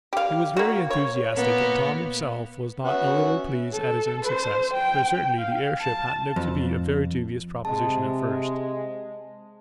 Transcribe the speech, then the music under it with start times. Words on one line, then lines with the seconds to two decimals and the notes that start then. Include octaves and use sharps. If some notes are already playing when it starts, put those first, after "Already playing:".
He was very enthusiastic, and Tom himself was not a little pleased at his own success, for certainly the airship had looked to be a very dubious proposition at first.
0.13 G4 F5
0.57 A#3 F#4
0.90 C#5
1.34 A#2 A#3 B3
2.85 B3 C#4 F#4 E5 F#5
3.73 A4
4.26 C5
4.74 G5
5.39 F5
5.81 A5
6.36 F2
7.65 C3 G#3 A5